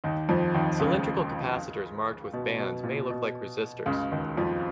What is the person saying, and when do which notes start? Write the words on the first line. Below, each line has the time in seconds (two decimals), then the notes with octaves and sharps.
Cylindrical capacitors marked with bands may look like resistors.
0.04 D#2 D#3
0.29 F2 F3
0.54 D#2 D#3
0.79 C#2 C#3
2.33 B2
2.58 B2
2.83 A#2
3.10 B2
3.86 C#2 C#3
4.11 D#2 D#3
4.37 F2 F3